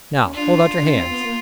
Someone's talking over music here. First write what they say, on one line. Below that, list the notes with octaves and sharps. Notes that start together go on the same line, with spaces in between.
"Now hold out your hands."
C#4
D4 F4
D4
C4
B3
A#3